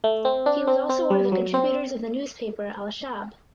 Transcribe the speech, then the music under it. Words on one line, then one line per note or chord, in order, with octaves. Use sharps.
He was also one of the contributors of the newspaper "Al Shaab".
A3
C4
D4
C4
C4
G3
F#3
C4